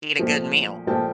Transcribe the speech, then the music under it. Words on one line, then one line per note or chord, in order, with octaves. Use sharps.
eat a good meal.
A#1 A#2 F3 A3
A#1 A#2 F3 A3 G5 A5